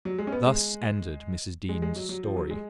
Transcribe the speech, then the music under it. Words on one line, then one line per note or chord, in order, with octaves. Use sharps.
Thus ended Mrs. Dean's story.
F#3
G#3
C#4
B3
G#3
G#3
G#3
F#3
F#3
F3
F#3
G#3